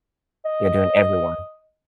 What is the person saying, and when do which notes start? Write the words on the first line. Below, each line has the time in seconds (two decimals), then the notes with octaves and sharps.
you're doing everyone
0.45 D#5